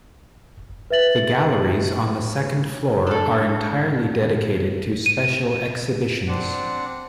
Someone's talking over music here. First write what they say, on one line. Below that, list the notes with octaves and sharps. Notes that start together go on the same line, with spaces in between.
The galleries on the second floor are entirely dedicated to special exhibitions.
B4 E5 A6 F#7
D4 A4
D#7
C4 D4 F#5